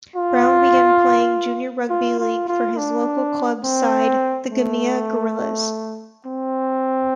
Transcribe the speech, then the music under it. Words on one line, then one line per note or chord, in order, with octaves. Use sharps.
Brown began playing junior rugby league for his local club side the Gymea Gorillas.
F4
F4
F4
F4
D4
C4
A3
C4